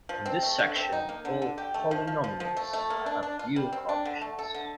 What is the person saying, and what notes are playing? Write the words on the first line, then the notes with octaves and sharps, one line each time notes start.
In this section, all polynomials have real coefficients.
F3
C4
A3
D3
C4
D#4
A#3
D3
D3
G4
A3
F3
F3
F3
F3
A3
A3
A#3
D4
D4
F4
G3
C4
D4
D3
A3
A4
D3